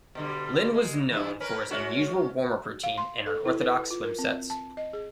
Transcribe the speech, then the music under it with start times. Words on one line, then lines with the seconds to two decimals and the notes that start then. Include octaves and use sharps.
Linn was known for his unusual warm-up routine and unorthodox swim sets.
0.15 B2 D3 G3
0.74 G#3
1.10 E2 G2 E4
1.40 C#4 A#4 B4
1.71 G#3 C#4 F#4
2.84 F5
2.98 C6
3.26 A4
3.45 E4
3.61 B4
3.91 F4
4.03 A#4
4.19 C4
4.50 A5
4.77 D#5
4.93 G#4